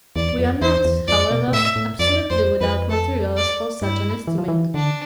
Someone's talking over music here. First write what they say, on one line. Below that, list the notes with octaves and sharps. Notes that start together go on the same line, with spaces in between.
We are not however absolutely without materials for such an estimate.
E2 D5
F2
E2 C5
E2
F2 D5
B2
B2
A2 E5
A2
F2 D5
F2 C5
F2 B4
A4
D5
G2 E4
E3
F3
E3
D3 D4